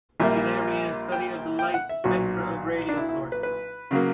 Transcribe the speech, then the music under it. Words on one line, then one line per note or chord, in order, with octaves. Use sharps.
He later began a study of the light spectra of radio sources.
A#1 A#2 G3 A#3 E5
G5
G5
F#5
E5
B1 A#2 F#3 F#4
D4
E4
E4
B4
B4
C#3 F#3 A#3